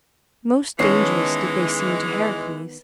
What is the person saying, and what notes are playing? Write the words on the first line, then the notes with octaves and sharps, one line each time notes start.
Most dangerous did they seem to Heracles.
D#3 E3 G#3 B3 C#4 A5 C7